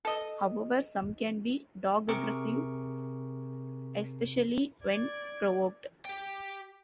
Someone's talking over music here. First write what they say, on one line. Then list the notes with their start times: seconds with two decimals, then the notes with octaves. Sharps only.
However, some can be dog-aggressive, especially when provoked.
0.05 A4 D#5
2.08 C3 G#4 A#4 C#6 D6
4.84 D5 G#6
6.05 G4 G5